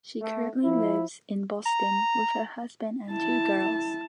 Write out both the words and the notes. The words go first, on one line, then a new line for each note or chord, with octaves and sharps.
She currently lives in Boston with her husband and two girls.
A3
F3 E4
A#5
E4 A5